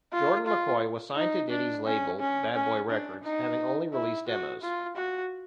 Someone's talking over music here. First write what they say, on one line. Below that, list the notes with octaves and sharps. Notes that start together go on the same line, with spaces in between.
Jordan McCoy was signed to Diddy's label, Bad Boy Records, having only released demos.
F4
F4
D#4
D4
C#4
C#4
C#4
D4
D#4
E4
F#4
F4
F#4